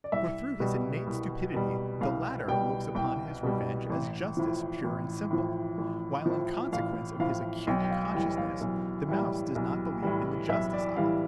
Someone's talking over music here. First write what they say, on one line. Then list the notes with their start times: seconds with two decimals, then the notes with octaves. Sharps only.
For through his innate stupidity the latter looks upon his revenge as justice pure and simple; while in consequence of his acute consciousness the mouse does not believe in the justice of it.
0.04 D5
0.12 C2 E5
0.60 B2 G3
1.07 C2
1.54 B2 G3
2.01 C2 F5
2.48 B2 G3 G5
2.95 C2 G5
3.43 B2 G3
3.90 A1
4.37 A2 F3
4.84 A1
5.30 A2 F3
5.78 A1
6.26 A2 F3
6.72 A1 F5
7.20 A2 F3 F5
7.67 B1 G5
7.82 G5
7.90 F5
8.14 A2 E3 G3 G5
8.37 F5
8.61 B1
9.08 A2 E3 G3
9.56 B1
10.02 A2 E3 G3
10.49 B1 E5
10.73 D5
10.96 A2 E3 G3 F5